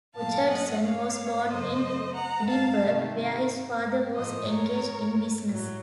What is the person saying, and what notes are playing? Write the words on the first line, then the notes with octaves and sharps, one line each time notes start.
Orchardson was born in Edinburgh, where his father was engaged in business.
A#2 F#3 A3 F5 A5
D#5 F#5
C#5 F5
F#2 C#3 A3 C5 D#5
F#5 A#5
F5 A5
C3 D#3 A3
A2 F3 A3 C5 D#5
A#4 C#5
A2 F#3